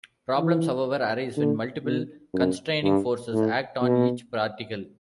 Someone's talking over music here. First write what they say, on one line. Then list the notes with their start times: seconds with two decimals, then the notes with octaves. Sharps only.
Problems, however, arise when multiple constraining forces act on each particle.
0.38 E3
1.36 D3
1.85 B2
2.34 F#2
2.83 G2
3.33 A2
3.82 B2